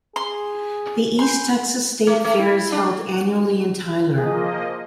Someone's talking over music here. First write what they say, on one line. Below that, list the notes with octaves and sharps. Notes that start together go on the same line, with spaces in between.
The East Texas State Fair is held annually in Tyler.
G#4 C6
G#5 B5 C6 G6
A3
A3
E4
D4
F3 A#3 G#4 D#5